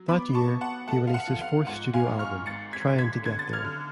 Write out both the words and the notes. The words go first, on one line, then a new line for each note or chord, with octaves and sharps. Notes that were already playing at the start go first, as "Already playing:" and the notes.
That year, he released his fourth studio album, "Tryin' to Get There".
Already playing: F#3
B3 B5 D6
A5 C#6
B3
F#5 A5
A3 F#5 A5
F5
F#5
F3
F5
G#2 F#5
F5 G#5
G#2
C#6 F6
G#1 A6 C#7
G#6 B6
D3
G#6 B6
D3 G#6
A6
F6 G#6
D3